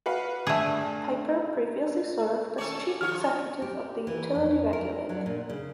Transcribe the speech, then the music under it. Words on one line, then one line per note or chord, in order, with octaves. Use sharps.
Pyper previously served as Chief Executive of the Utility Regulator.
F#4 B4 F5
G2 A3 G#4
C#4 D4 A4 C#5
F3 C#5 F6
G4
E3
F2
A#4
F#3
A#2
C#3